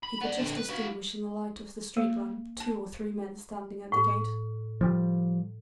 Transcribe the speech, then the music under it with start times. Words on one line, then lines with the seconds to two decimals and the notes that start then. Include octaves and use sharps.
He could just distinguish in the light of the street lamp two or three men standing at the gate.
0.03 B5
0.21 B3 D5
0.39 D3 C4
0.57 B4
0.69 E4 F#4
1.97 A#3
2.60 A5
3.92 A2
4.81 F3 G3